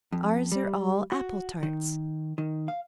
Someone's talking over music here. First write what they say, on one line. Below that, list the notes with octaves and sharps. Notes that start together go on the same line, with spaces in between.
Ours are all apple-tarts.
F2
G3
F#4
D#3
D#3
F5